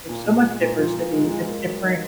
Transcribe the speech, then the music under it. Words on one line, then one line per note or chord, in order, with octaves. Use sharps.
there's so much diversity that different
A#2
A#2
G#3
A#2
F3
A#2
G#3
G#3
A#3
F#3
D#4